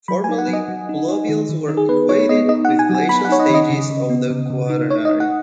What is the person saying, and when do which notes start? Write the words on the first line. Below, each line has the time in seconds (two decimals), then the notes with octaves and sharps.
Formally, pluvials were equated with glacial stages of the Quaternary.
0.08 F#3 B5
0.24 G#5
0.29 D#4
0.38 F#5
0.48 F#3
0.53 D#5
0.68 F#3
0.89 D#4
1.09 D#4
1.29 D#3
1.49 D#3
1.69 D#4
1.77 G#4
1.89 B3 B4
2.09 D#4 C#5
2.29 B3 D#5
2.49 D#4 D#5
2.65 F#5
2.69 D#4
2.79 G#5
2.89 F#3
2.95 G#5
3.09 B3 B5
3.25 F#5
3.29 D#4 C#5
3.39 D#5
3.50 D#3 D#5
3.70 C#3
3.90 C#3
4.10 B3
4.30 C#3
4.50 C#3
4.70 D#4
4.90 D#4 C#5
5.05 D#5
5.09 D#4
5.20 F#5